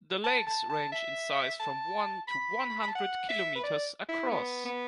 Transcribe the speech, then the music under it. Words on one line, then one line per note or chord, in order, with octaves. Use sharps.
The lakes range in size from one to one-hundred kilometers across.
A5
A5
A5
E5
A5
B5
B5
A5
F#5
E5
B4
D5
E4
B3
B3